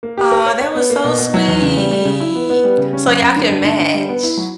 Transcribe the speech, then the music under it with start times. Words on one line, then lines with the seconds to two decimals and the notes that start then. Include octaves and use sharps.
Aww, that was so sweet, so y'all could match.
0.03 A#3
0.17 G4
0.32 A#4
0.46 C#5
0.61 C#5
0.75 B3
0.90 A#3
1.04 B2
1.19 B2
1.34 F#3
1.48 E2
1.62 C#3
1.77 G3
1.91 G3
2.05 C#3
2.20 E4
2.35 B3
2.49 B3
2.64 G3
2.78 C#3
2.93 C#4
3.07 F#2
3.22 F#2
3.36 D3
3.50 G2
3.65 D3
3.79 D3
3.94 G3
4.09 B3
4.23 E4
4.37 F#3